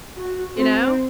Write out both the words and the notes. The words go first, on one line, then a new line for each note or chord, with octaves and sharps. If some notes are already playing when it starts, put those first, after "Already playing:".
You know?
F#4
C4